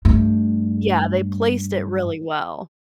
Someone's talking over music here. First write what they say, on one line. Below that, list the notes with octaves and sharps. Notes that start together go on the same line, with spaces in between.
Yeah, they placed it really well.
G2 A3